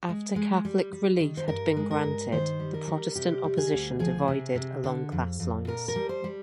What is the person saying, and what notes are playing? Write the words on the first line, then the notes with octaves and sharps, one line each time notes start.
After Catholic relief had been granted, the Protestant opposition divided along class lines.
G#3
G#3
G3
G3
D#3
C5
G2 A#4
G#3
A#4
G2
D#3 C5
G3
A#4
G3
C3 G4
G3
G#4
D2
F3 G#4
C3
C3
D3
F2
F2
A#2 A#4
A#4
G3
C5
G3